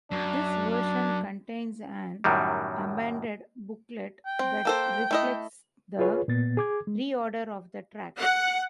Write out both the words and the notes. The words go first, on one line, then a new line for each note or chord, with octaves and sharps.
This version contains an amended booklet that reflects the reorder of the tracks.
F#2 D4
D4
F#2 A2 D#3 F#3 G3
G5
C4
A#3 A4 C5
A3 E4 D#5
F4 G#4 B4 C#5
A#2 B3 A6
G#4 D6 G#6
G#3
F#5